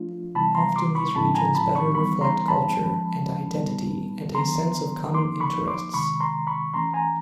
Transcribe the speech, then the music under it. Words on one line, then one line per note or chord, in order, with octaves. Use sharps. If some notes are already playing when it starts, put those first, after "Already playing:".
Often these regions better reflect culture and identity and a sense of common interests.
Already playing: F3 A3 D4 F4
C3 E3 G3 B3 E4 A5 B5
A#5 C6
C6 D6
B5 C#6
A2 F3 G#3 C4 E4 A5 B5
G#5 A#5
A5 B5
B5 C#6
E3 G3 B3 D#4 B5 C#6
A#5 C6
A5 B5
F3 G#3 C#4
A#2 G3 B3 D#4
D#3 F#3 B3 D4 A#5 C6
F3 A#3 D#4 C6 D6
B5 C#6
C6 D6
C3 D#3 G#3 B5 C#6
A#5 C6
B5 C#6
E3 A3 C#4 A#5 C6
G#5 A#5